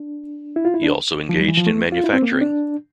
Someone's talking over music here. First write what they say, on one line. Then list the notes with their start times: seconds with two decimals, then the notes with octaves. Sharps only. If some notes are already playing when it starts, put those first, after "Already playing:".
He also engaged in manufacturing.
Already playing: D4
0.56 E4
0.65 F4
0.74 E4
0.83 D4
1.29 F3
1.40 G3
1.48 E3
1.58 F3
1.67 A3
1.92 F4
2.04 E4
2.13 C4
2.22 A#3
2.32 C4
2.41 D4